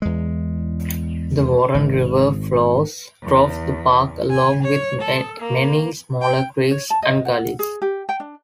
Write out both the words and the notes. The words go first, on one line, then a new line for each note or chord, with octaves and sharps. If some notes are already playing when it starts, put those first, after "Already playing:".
The Warren River flows through the park along with many smaller creeks and gullies.
E2 G#3
G#1
E2
G#5
C#5
A4
A#3
G5
C#5
A5
D#5
F#5
G#4
G4
G5
D4